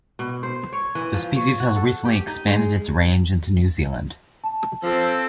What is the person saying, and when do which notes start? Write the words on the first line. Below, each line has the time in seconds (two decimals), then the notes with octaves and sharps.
The species has recently expanded its range into New Zealand.
0.19 B2
0.43 C5
0.73 C#5
0.95 E3
1.14 F3
1.36 C#5
1.60 F#4
1.76 A4
2.05 G4
2.27 D#4
2.47 G#3
4.44 A5
4.83 F3 C4 A4